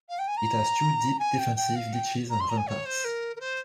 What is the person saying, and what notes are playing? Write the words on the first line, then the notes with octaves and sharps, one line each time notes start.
It has two deep defensive ditches and ramparts.
F5
G5
G#5
A#5
G#5
G5
G5
F5
G5
A#5
C6
A#5
G#5
C#5
C5
A#4
A#4
C5